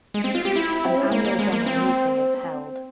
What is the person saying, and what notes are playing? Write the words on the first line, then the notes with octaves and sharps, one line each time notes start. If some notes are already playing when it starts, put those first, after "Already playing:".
An Annual General Meeting is held.
G#3
C4
F4
G4
E4
C4
C#4
A#3
A#3
G#3
A#3
C4